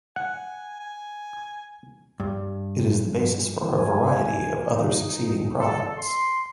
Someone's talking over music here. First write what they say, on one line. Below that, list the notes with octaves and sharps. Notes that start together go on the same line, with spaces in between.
It is the basis for a variety of other succeeding products.
F#5 G#5
G#5
G2
G#5
D#4
A4
C6